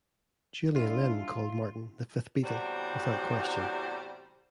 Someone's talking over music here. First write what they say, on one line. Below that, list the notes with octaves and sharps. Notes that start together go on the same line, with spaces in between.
Julian Lennon called Martin "The Fifth Beatle, without question".
G3 D4 E4 F4 C6
E2 A2 C3 G3 F#4 C5